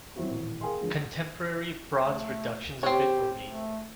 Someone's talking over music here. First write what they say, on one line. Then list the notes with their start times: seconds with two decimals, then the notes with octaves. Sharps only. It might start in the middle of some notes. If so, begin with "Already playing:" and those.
Contemporary bronze reductions of it were made.
0.16 F#3 C4 E4 F#4
0.30 D#1 A1
0.61 G#4 A#4 F5 G5 G#5 C6
0.80 D3 F3 G#3 A#3
2.03 A3
2.83 C4 G4 C#5
3.47 A3